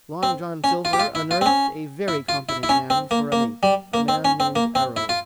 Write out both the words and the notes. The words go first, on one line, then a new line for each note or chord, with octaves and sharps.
Long John Silver unearthed a very competent man for a mate, a man named Arrow.
C4
C#4
F4
G4
F4
E4
F4
C4
C#4
E4
F4
E4
E4
C#4
C4
A#3
A#3
G3
A#3
C4
C#4
C4
A#3
C4
E4
F4